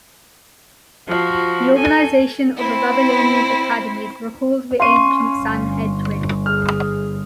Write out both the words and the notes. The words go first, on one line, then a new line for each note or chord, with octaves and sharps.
The organization of the Babylonian academies recalled the ancient Sanhedrin.
F3 F#4
A4 G#5
C4 E4
C#4 F5 C6 C#6 C7 D#7
G1
G#4 F6